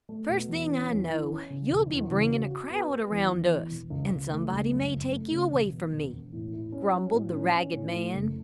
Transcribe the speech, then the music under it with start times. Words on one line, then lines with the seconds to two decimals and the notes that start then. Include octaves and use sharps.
"First thing I know you'll be bringing a crowd around us, and somebody may take you away from me," grumbled the ragged man.
0.09 A3
0.29 B2
0.49 E2
0.69 C#4
0.89 E2
1.10 E3
1.30 C#4
1.50 C#3
1.70 E1
1.90 E2
2.11 C#3
2.31 F#4
2.50 F#4
2.70 B3
2.90 B3
3.11 E2
3.31 E2
3.51 E2
3.71 E1
3.90 C#2
4.11 C#2
4.31 A3
4.51 C#2
4.71 F#2
4.92 F#1
5.12 A3
5.31 C#3
5.52 E1
5.72 B2
5.92 E1
6.13 E1
6.33 A2
6.52 E4
6.72 C#4
6.93 F#3
7.13 A2
7.33 C#4
7.53 C#4
7.73 A2
7.93 A3
8.13 F#1